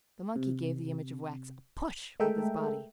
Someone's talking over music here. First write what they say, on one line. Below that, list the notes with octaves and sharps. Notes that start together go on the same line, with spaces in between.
The monkey gave the image of wax a push with his body.
C3
G#3 A3 A4 A#4 E5 G5